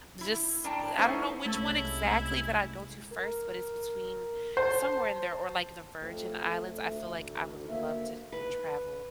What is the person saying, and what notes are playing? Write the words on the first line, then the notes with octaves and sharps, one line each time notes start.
just I don't know which one exactly that I'd go to first, but it's between somewhere in there or, like, the Virgin Islands. I feel like I would love to travel
E4
A2 D4 G5 A5 A#5
A3 B3 C#4 D#4 E4 C5
C2 G#3 A3 C#4 E4 A4
A#4
C5 A5
F2 A3
D2
A#3 E5
B4